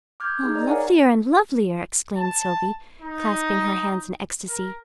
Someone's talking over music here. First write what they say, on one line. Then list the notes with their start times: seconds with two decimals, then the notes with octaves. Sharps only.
"Lovelier and lovelier!" exclaimed Sylvie, clasping her hands in ecstasy.
0.20 D6 F6 G6 G#6
0.43 D#4 G#4
0.55 D5 D#5 A#5
0.68 A#4 C#5 D5 F5 F#5 G#5
2.16 A5
3.00 D#4
4.47 A#4